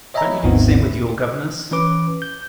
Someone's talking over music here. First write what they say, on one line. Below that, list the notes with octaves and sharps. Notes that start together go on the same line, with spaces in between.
Can't you do the same with your governess?
C#5 D#5 E5 G#5 A#5 B5
G#1 D#2 G#2 D#3 B3 C4
E4
E3 C#4 B4 D6
G6